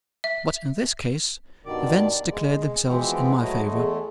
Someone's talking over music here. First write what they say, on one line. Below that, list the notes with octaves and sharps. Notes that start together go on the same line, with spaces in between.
But in this case, events declared themselves in my favor.
E5
G2 B2 D#3 D5
G#3
B2 E3 F3 G#3 B3 C4
F#3 A3 E4 D#5
E2 G#3 A3